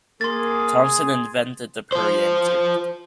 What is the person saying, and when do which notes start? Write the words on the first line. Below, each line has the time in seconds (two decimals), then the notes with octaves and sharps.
Thompson invented the permeameter.
0.21 A#3 G#4 C6 A6
1.92 F4 C5